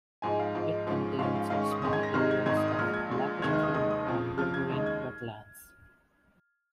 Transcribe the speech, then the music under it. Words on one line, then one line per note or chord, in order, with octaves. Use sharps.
It contains small areas of lacustrine and riverine wetlands.
G#2 F3 G#3 D#4 G#5
F5
G#2 F3 G#3 D#4
G#2 F3 G#3 C#4
G#2 F3 G#3 C#4 F5
F5
G#2 D#3 G#3 C#4 F5
C#6
D#6
G#2 D#3 G#3 C#4 D#6
G#6
A#6
G#1 G#2 D#3 G#3 D#4 F6
G#6
G#1 G#2 D#3 G#3 D#4 G#6
D#6
D#6
A#1 A#2 G#3 F6
G#6
A#1 A#2 G#3
F1 D#2 D#3 G#3 D#4 G#6
F6
D#6
F1 D#2 D#3 G#3 D#4 D#6
D#6
F2 C#3 F3
F2 C#3 F3 F6
G#6
D#2 C#3 G#3 D#4
G#6